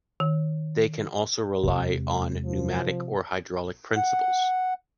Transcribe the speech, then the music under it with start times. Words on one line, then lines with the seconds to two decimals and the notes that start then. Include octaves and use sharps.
They can also rely on pneumatic or hydraulic principles.
0.20 D#3
1.63 E2 C3 G#3
2.45 F3
3.97 F#5